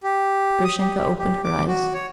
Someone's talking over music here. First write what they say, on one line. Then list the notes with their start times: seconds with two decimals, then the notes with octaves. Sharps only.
Grushenka opened her eyes.
0.03 G4
0.64 D#6
0.80 G4
0.97 G4
1.19 G4
1.44 D6
1.68 F#4
1.94 C#5